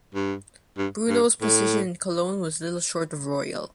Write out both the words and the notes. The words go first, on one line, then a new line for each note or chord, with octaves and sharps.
Bruno's position in Cologne was little short of royal.
G2
G2
G2
A2